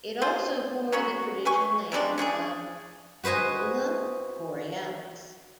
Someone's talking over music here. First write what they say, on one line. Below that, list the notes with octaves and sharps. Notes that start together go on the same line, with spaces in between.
It also bore the traditional name of "Alula Borealis".
F4 G#4 C5
F#3 B3 C#4 F#4
B4 G#5 C#6
C3 G3 G#3 D4
C#4 D4 F#4 G#4
F#4 B4 C5 D#5 G#5